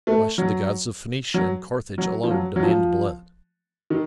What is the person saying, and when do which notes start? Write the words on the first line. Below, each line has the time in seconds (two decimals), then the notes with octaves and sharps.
Why should the gods of Phoenicia and Carthage alone demand blood?
0.07 A3
0.38 F#3
1.34 F#3
1.98 F#3
2.23 F3
2.31 F#3
2.56 F#3
2.63 F3
3.90 D#3